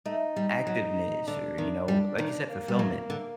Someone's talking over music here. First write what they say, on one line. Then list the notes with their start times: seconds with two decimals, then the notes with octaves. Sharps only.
activeness or, you know, like you said, fulfillment,
0.06 A3 D#4
0.36 G3
0.67 F#3
1.27 D3 D4
1.58 D#3
1.88 G3
2.18 D#3
2.49 A#3
2.68 G3
2.79 F#3
3.10 D3